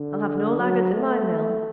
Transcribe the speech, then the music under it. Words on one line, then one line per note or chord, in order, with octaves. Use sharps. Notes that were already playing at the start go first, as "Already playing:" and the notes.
'I'll have no laggards at my mill.
Already playing: D3
F#3
A3